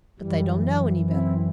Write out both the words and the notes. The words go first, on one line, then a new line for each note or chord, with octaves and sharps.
'But they don't know any better.
F#2 E3 G3
C4 E4